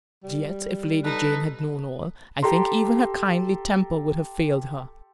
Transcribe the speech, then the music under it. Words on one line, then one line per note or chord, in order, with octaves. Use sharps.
And yet, if Lady Jane had known all, I think even her kindly temper would have failed her.
G3
D#4 A4 B4
G4 A4 A#5 C6